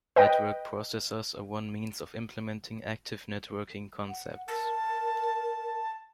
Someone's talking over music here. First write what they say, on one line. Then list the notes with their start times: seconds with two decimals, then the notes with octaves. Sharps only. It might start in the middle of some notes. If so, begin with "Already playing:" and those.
Network processors are one means of implementing active networking concepts.
0.16 B4 D#5 G5
4.09 F#5
4.48 A#4 A5